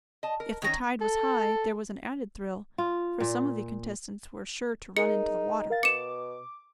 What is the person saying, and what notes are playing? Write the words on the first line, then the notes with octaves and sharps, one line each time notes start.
If the tide was high there was an added thrill, for some of the contestants were sure to run into the water.
D#5 A5
A#4
D#3 C#4 C#5 A#5
A4
F4
A#2
D#4 G#4 A#4 C#7
A#4 F5 A6
B2 D6 C#7 E7